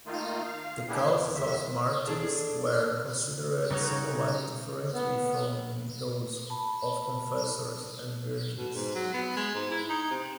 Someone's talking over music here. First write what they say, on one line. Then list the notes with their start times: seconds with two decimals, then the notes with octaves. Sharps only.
The causes of martyrs were considered somewhat differently from those of confessors and virgins.
0.06 D#3 A3 A#3 D#4 F4
0.44 F5
0.88 A#3 B3 D4 E4 G4 G#4
1.09 B3
1.35 E2 A2 G#3 E5
2.07 D4 G#4 A4
3.71 C#3 G3 D#4 F#4 C#5
4.94 B3
6.50 A5 B5
8.58 B2
8.75 G#2
8.95 F#3
9.14 B3
9.36 G#3
9.55 G#2
9.71 E4
9.89 D#4
10.11 C3